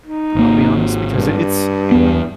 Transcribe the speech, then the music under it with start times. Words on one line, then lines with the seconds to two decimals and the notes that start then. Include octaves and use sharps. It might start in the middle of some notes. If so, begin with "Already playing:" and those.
I'll be honest because i it's
0.06 D#4
0.35 G#1 A#3
1.14 G2
1.91 E2 B3